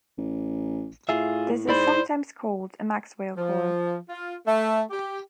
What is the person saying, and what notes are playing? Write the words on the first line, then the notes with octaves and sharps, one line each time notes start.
This is sometimes called a Maxwell coil.
A1
A2 F4 G#4 E5
G#2 E4 C5 D5 B5
F3
F4
A3
G4